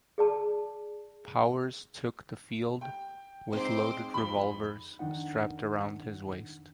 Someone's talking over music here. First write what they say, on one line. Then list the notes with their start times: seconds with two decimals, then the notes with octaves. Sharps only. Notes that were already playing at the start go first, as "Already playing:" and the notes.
Powers took the field with loaded revolvers strapped around his waist.
0.18 G#4 D5 A5
2.81 G5
3.53 G#3 C4 D#4 C5 C6 D6
4.14 F2 B5 G7
4.99 F2 D#3 D4 D#4 F#5